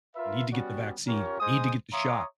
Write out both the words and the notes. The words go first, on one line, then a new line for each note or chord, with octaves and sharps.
I need to get the vaccine, I need to get the shot,
F4 A#4 B4 E5
G3 B3 C#4 F#4 D5
C#4 F4 G4 A#4 C#5
G#3 C5 G#5 D#6
C#5 E5 F5 A#5 C6 D#6